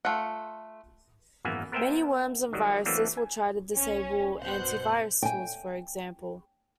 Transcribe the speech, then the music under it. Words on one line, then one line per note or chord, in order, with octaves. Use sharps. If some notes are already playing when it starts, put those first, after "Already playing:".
Many worms and viruses will try to disable anti-virus tools, for example.
A3 F4 F#5
G#1 F#2 E3 A#3 B3 G#5
B3 A#4 C5 E5 G5 G#5
D#3 F#3 G3
E3 F#3 A3 A#3 C4 D4
G#5
B1 C#4
G2 B2 C5 F#5 F#6 G6
G5 G#5